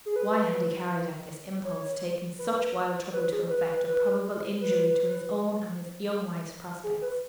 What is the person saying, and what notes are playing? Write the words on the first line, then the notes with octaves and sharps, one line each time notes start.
Why had he carried out this impulse--taken such wild trouble to effect a probable injury to his own and his young wife's prospects?
G#4
B4
C#5
B4
B4
G#4
B4
B4
B4
B4
G#4
B4